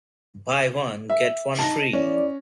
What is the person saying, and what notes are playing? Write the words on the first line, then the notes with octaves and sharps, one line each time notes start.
Buy one, get one free.
E5
D#4 A5 A#6
E2 C#4 E4 D5